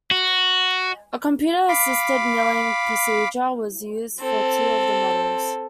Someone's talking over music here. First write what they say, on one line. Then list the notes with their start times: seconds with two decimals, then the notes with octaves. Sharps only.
A computer-assisted milling procedure was used for two of the models.
0.11 F#4
1.69 F5 B5 D6
4.19 C4 A4